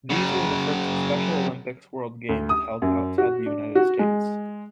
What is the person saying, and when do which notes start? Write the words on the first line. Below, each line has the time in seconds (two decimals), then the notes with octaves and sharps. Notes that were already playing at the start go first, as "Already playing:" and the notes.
These were the first Special Olympics World Games held outside the United States.
0.10 F#2 C#3
2.29 D2
2.49 D#6
2.82 F#2
3.18 F#4
3.46 D4
3.75 F#4
3.99 G#3